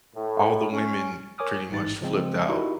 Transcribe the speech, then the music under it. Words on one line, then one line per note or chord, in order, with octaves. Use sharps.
All the women pretty much flipped out,
A2
C#4
A#4 C#5 G#5 D6 D#6 F6
A1 G#2 E3 D#4 A6
C#3 F3 G#3 C4
D#4 E4 F#4 G4 A#4